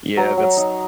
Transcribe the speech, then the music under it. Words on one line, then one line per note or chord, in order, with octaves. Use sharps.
Yeah, that's
F#3 A#5
F#3
D#4